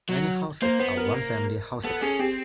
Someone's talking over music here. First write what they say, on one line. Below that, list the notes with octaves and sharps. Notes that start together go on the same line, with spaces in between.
Many houses are one family houses.
F#3
A#3 C5
B3 C5
A#4
A#3
B3 A4
C#4 G#4
C4 G4